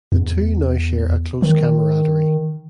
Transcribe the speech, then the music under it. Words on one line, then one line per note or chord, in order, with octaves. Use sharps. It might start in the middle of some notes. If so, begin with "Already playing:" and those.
The two now share a close camaraderie.
E2
D#3